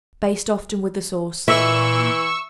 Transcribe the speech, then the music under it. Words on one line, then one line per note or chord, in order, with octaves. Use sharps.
Baste often with the sauce.
A#2 E3 E5 C#6 E6